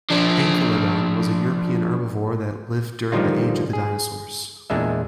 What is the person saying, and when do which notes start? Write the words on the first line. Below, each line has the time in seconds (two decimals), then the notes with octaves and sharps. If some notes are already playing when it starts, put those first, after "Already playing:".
"Henkelodon" was a European herbivore that lived during the "age of the dinosaurs".
0.11 F3 D4
3.12 D3 D#3 F3 G3 D#4 F4
3.73 G#4
4.70 E2 A#2 G#3 D4 E5